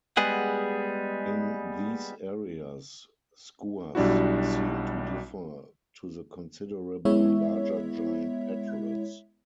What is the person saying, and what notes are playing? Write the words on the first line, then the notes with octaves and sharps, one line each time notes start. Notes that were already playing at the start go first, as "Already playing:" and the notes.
In these areas, skuas seem to defer to the considerably larger giant petrels.
G3 G#3 B3 G#4 F#5
B1 G3 D4 E4 F#4
G#3 B3 E4 C#5 E5